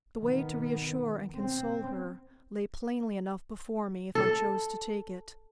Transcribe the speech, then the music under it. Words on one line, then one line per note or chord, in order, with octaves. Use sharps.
The way to reassure and console her lay plainly enough before me, if I chose to take it.
D#3 B3
C4
A4